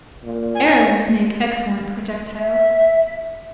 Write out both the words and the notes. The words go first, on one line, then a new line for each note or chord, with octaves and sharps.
Errors make excellent projectiles.
A#2
G#5
E5